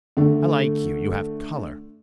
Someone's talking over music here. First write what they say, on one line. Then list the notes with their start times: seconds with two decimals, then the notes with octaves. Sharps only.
I like you--you have color.
0.17 D3 A3